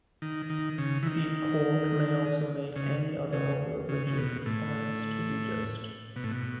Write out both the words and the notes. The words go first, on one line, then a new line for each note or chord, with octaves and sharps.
The court may also make any other order which it finds to be just.
D#3
D#3
C#3
E3
D#3
C#3
C#3
C#3
C#3
B2
A2
B2
A2
B2